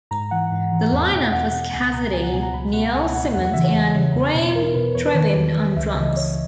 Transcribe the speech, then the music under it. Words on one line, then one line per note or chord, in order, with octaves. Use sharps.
The line-up was Cassidy, Neal, Simons and Graeme Trewin on drums.
G#2 A#5
E3 F#5
G#2
E3
E2
B2
E2 F#5
B2 F#5
C#2 G#5
B2 A#5
C#2 G#5
F#5
B2 G#5
A#5
C#2 B5
B2 F#5
C#2 G#5
B2 F#5
E2 F#5
F#5
C#3 E3 E5
C#5
E2
C#3 E3
E2
B2
E2 A#4
B2 B4
E2 C#5
B4
D#3 C#5
E2
D#3
C#2 E5
E5
C#3 E3 D#5
C#2 C#5